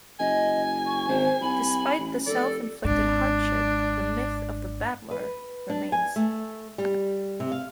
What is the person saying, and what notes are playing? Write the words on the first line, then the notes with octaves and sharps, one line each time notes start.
Despite the self-inflicted hardship, the myth of the "battler" remains.
F#1 D#5 G#5
C#6
G#1 C5
C2 B5
A1
F1 A4 D5
G#1 G#2 D4
B4
D4
G#5
A3
G3
C3
F5